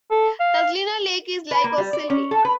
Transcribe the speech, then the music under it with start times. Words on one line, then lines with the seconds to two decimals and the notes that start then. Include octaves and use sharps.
Tazlina Lake is likewise silty.
0.11 A4
0.40 F5
1.51 B4
1.64 A#3
1.78 G3
1.93 D5
2.10 C#4
2.31 A4
2.45 B4